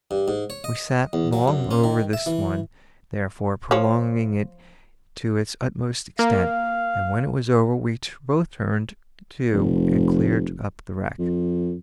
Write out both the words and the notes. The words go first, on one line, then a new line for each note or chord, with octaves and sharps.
We sat long over this one, therefore, prolonging it to its utmost extent; and when it was over, we both turned to and cleared up the wreck.
G2
G#2
C#5
D#5
E2
F#3
F#2
C#4
D#3
E5
E3
F3 C#5
A#3 F5
F1
F2